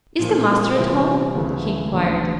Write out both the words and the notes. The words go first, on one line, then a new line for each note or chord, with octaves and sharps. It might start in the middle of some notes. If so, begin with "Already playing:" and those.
"Is the master at home?" he inquired.
A#2 F3 A#3
C3 E3 G3 C4 F4
D2 C#3 E3 A3
E1 D2 D3